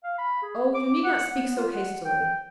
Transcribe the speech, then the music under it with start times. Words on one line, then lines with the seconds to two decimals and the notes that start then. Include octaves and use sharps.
'Oh! you need not speak so hastily.
0.04 F5
0.18 B5
0.42 G#4
0.74 D6
1.05 F#5
1.35 B3
1.57 F4
1.73 F#5
2.05 G5